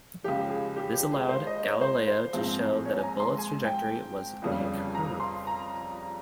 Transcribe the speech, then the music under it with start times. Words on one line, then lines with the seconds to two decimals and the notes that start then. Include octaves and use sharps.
This allowed Galileo to show that a bullet's trajectory was a curve.
0.24 C#2 C#3 F3 G4
0.50 G#4
0.76 G4
0.94 G4
1.12 G#4
1.29 C5
1.47 D#5
1.63 C#5
1.81 C5
2.08 C5
2.33 A#1 G#2 F3 G#3 C4
2.85 C#5
2.98 G#5
3.03 A#5
3.20 C6
3.38 G#5
3.64 G5
4.42 G1 F2 C#3 G3
4.95 A#5
5.20 C6
5.47 A#5